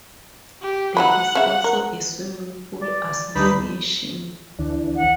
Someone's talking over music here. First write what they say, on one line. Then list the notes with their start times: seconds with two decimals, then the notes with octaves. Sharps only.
There is also a swimming pool association.
0.62 G4
0.97 F#3 D#4 F#5 B5
1.35 C#3 E5
1.64 A#4
2.82 D5
3.35 D2 G3 D#4 B4
4.59 D2 E3 D4
4.96 F#5